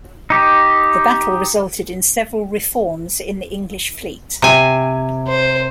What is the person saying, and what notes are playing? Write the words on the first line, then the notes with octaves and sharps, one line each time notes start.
The battle resulted in several reforms in the English Fleet.
D#4 G4
C3 G#5
C5